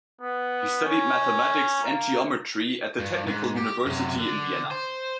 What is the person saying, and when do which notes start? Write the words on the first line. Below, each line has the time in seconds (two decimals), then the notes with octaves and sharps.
He studied mathematics and geometry at the Technical University in Vienna.
0.21 B3
0.84 C#4
1.83 A#3
3.00 G2
3.27 G#2
3.57 G4
3.86 F#2 C3
4.20 D3
4.71 C5